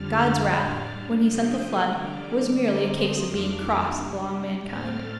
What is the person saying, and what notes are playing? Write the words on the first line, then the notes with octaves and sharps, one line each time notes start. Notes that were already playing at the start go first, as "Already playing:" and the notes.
God’s wrath, when He sent the Flood, was merely a case of being cross along mankind.
Already playing: F2 D3 G3 D4 F6 A6
A2 G3 D4 F6 A6
C3 F3 A3 D4 D#6 G6
D3 G3 D4 D6 F6
D3 A3 C4 A#5 D6
C6 D#6
F2 D#3 A#3 D4 D6 F6
C3 G3 D4
A2 A3 C4 F6 A6